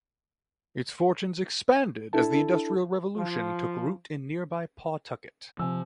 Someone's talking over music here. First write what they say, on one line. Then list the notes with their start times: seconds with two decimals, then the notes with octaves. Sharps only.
Its fortunes expanded as the Industrial Revolution took root in nearby Pawtucket.
2.13 D4 E4 A4 A5
3.17 F3
5.59 C3 F3 G#5 E6